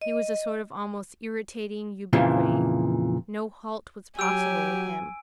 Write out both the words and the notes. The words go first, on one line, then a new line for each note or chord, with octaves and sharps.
He was a sort of almost irritating ubiquity; no halt was possible with him.
D#5
F2 A#2 C#3 E3 F3
F#3 G4 G#5 E6 D7